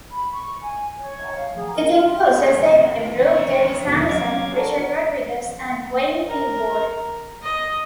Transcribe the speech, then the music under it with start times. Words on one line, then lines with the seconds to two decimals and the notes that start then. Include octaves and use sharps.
It includes essays by Brooke Davis Anderson, Richard Rodriguez, and Wayne Thiebaud.
0.11 B5
0.32 C#6
0.61 G#5
0.99 C#5
1.35 F5
1.55 G#4
1.74 A#4
1.94 F4
2.17 G4
2.36 G#4
3.26 C#6
3.87 E2 B2 D3 D#3 F#3
4.09 F#3 C#4 F5 D6 G#6
4.56 D4 F#4 A4 A#4
6.29 A#4
7.43 D#5